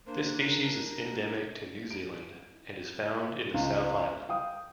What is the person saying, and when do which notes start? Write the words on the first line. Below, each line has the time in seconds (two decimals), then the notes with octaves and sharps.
This species is endemic to New Zealand and is found in the South Island.
0.07 A#3 D4 C5
0.40 A#4 A#5
1.91 D7
3.54 C#2
4.29 F5 G5 D#6